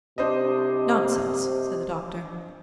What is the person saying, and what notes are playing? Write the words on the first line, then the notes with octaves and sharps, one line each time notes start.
"Nonsense," said the Doctor.
C3 D4 C5 D#5